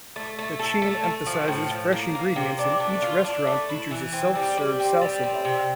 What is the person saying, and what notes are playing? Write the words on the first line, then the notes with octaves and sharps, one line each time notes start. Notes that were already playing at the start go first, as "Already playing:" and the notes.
The chain emphasizes fresh ingredients, and each restaurant features a self-serve salsa bar.
A3
A3
A4
A3
A3
F3
A2
F3
A#3
A#3
C3
D4
A3
F4
D4
A3
E4
E3
C4
G3
G3
C4
G3
C4
C3